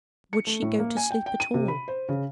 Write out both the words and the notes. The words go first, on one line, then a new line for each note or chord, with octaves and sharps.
Would she go to sleep at all?
C#7
A3
A2
A#3
G#5
G5
G5
D#7
C3
B5
C5
C#3